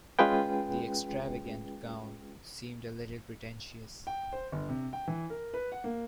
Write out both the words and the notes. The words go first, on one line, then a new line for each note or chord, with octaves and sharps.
The extravagant gown seemed a little pretentious.
G#3 C#4 F4 G#4 B4 G5
G5
C5
G1
C3
G5
E3
A#4
B4
F#5
A#3